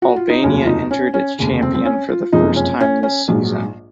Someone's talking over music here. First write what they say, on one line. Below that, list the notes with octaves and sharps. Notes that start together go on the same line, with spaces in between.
Albania entered its champion for the first time this season.
F#4
F4
D#4
F1 D#2 C#3 F#3 C#4
F4
D#4
C#4
C#4
F1 D#2 C#3
C4
C4
C#4
F4
F#1 F2 C3 F3 G#3 D#4
C#4
C#4
C#4
A#1 G#2 F#3